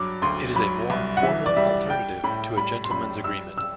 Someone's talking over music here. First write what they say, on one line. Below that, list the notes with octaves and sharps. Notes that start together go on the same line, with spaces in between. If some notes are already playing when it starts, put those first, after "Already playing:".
It is a more formal alternative to a gentlemen's agreement.
Already playing: G2 F#3 D6
D2 C6
F#3 B5
C2
F#5
E3 E5
D5
G3 E5
G3 G5
A2 B5
G3 B5
C6
F#2 B5
G3 E6
E6